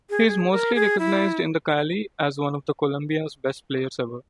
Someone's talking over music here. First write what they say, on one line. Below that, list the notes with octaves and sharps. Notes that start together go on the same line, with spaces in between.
He is mostly recognized in Cali as one of Colombia's best players ever.
G#4
G#4
A#4
G#4
E4